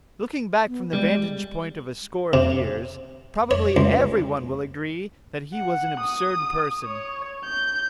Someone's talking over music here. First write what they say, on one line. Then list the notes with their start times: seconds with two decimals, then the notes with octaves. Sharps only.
Looking back from the vantage point of a score of years, probably every one will agree that he was an absurd person.
0.68 B3
0.93 G3 G#3
2.33 C3
3.51 C#5
3.77 C#2
5.54 F#5
5.99 D#6
6.83 C#5
7.44 G6